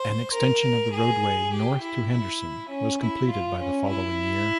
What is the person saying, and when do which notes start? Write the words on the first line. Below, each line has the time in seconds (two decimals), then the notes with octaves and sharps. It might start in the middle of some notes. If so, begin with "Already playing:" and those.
An extension of the roadway north to Henderson was completed by the following year.
Already playing: C5
0.33 A#4
0.93 G#4
1.52 G4
1.82 E4
2.11 E4
2.70 C#4
3.00 E4
3.30 F4
3.59 C#4
3.89 E4